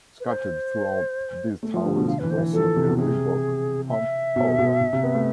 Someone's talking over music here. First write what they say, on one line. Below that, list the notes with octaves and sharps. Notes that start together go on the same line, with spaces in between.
Scattered throughout these towers is also a Reebok Pump power-up.
B4
C5
A3
F3
D3
B2
D3 F5
E3 B4
C5
E3
F3 A4
E3
C3
B2
C3 G#4
E5
B2
B2
B2
C3
B3
A3